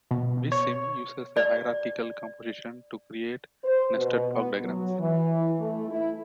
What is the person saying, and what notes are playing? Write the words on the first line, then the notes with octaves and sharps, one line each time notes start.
VisSim uses a hierarchical composition to create nested block diagrams.
B2
C#5
D5
C5
B2
B3
F#3
E3
A3
E4